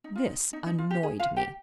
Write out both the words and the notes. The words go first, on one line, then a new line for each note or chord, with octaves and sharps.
This annoyed me.
D#4
F4
D#4
D#4
D#4
F4
G4
G#4
F4 F5
G4 G5